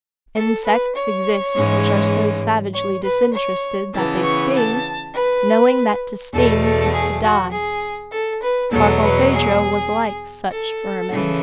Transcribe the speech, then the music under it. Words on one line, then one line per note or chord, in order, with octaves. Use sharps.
Insects exist which are so savagely disinterested that they sting, knowing that to sting is to die. Barkilphedro was like such vermin.
A4
B4
C#5
G#2 E3 G#3 C#4
C#5
B4
C#5
C#3 E3 B3 A5
C#6
A5
B4
E2 B2 A3 A4
A4
G#4
F#4
G#4
A4
B4
E2 B2 F#3 A4
B4
G#4
A4
C#3 E3